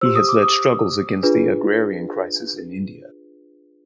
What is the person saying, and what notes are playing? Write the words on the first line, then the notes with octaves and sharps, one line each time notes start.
He has led struggles against the agrarian crisis in India.
G4 C5 E6
D#6
D6
D#6
D4 F4 G#4 B4